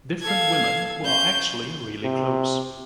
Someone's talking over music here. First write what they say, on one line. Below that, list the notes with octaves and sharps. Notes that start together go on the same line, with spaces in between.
Different women who are actually really close...
A4 F5 G#6
C#4 C5 G6
C3